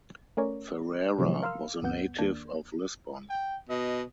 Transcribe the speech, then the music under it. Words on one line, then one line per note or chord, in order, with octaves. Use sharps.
Ferreira was a native of Lisbon.
A3 C#4 A#4 C#5 D5
C3 D#3 F3 F#3 G#3
A#4 F5 C6 E6 F6
G1 D2 G2 B3 F#5 G6
D#2 A#3 D4 G6 G#6 B6
G5
B2 D#5